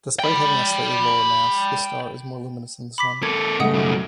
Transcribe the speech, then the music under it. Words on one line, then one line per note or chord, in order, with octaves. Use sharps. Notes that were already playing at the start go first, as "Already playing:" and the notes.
Despite having a slightly lower mass, this star is more luminous than the Sun.
G5 B5
B5 D6 B6
A#3 A4 G#6
C#3 G3 A3 D#5 F#5 D#6
B1 F#2